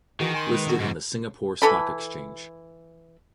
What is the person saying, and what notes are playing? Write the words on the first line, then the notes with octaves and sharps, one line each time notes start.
Listed on the Singapore Stock Exchange.
D#3 E3 F#4 G#4
G#5 C6
G#3 B4
B2 D3 F#4
G#2
E3 A4 B5